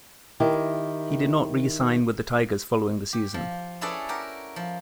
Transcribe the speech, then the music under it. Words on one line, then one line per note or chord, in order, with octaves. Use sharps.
He did not re-sign with the Tigers following the season.
D#3 E4 G4
G4
F3
C#4 E4 G#4 A4 B4 D5
F#4 G4 A#4
F3